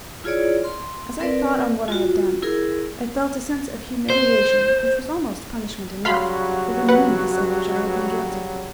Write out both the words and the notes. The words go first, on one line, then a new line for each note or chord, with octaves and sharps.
As I thought on what I had done, I felt a sense of humiliation which was almost punishment enough for the meanness of which I had been guilty.
E4 F4 G#4 C#5 D5
C6
C4 A#4 B4 D5
F4 F#4
E4 G#4 A#4
C5
C#3 F#3 G3 F#4 F5 B5 C6
B4 F#5